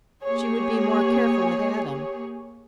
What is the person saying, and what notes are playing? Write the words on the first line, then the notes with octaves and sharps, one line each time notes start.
She would be more careful with Adam.
A#3 G4 G#4 C#5